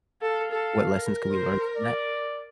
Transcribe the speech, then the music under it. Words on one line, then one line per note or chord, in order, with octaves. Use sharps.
what lessons could we learn from that?
A4 F5
A4
A#4
C5
D5